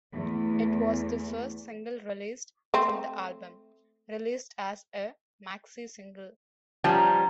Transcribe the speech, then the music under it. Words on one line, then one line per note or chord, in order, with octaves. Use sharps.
It was the first single released from the album, released as a maxi-single.
E2 A3
A3 C4
F3 G3 C#4 A5 A#5